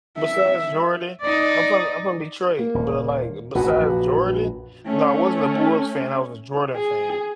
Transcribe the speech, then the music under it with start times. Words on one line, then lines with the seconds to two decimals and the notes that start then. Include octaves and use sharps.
Besides Jordan. I'm from I'm from Detroit, but like, besides Jordan no, I wasn't a Bulls fan, I was a Jordan fan,
0.19 E5
1.22 D#4 D5
2.59 A#3
2.75 D#1
3.55 A1 D2 F#4 B4
3.72 A#1 F#2
4.86 A3 C#4
6.76 G#4